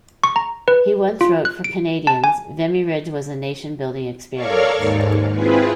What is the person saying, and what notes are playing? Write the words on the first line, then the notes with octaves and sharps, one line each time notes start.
He once wrote: For Canadians, Vimy Ridge was a nation building experience.
C#6
A#5
B4
F4
F#6
D7
A5
G#5
A4 A#4 C#5 D5 F5 C#6
D#2 G#2
C4 E4 F4 G#4 B4